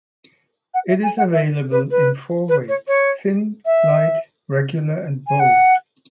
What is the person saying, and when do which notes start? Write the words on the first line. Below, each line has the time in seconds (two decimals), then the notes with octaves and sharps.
It is available in four weights: thin, light, regular and bold.
0.74 F#5
0.88 E5
1.03 G#5
1.18 F#5
1.32 E5
1.71 B4
1.90 B4
2.48 B4
2.68 C#5
2.87 C#5
3.65 E5
5.27 G#5
5.39 F#5